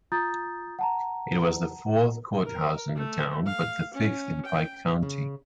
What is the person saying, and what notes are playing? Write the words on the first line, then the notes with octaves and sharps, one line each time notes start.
It was the fourth courthouse in the town, but the fifth in Pike County.
F4 A#5 D#6 G6 A6
F#5 A5 A#5
A#4
A3
F5
C#4
G5
C#3